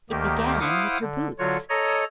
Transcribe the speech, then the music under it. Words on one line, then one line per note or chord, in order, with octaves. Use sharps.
It began with her boots.
D2 D#3 A#3 G4
E4 C5 F5 F#5 D6 D#6
D3
D3 F#3 F4 F#4 C#5
A4 C#5 D#5 A#5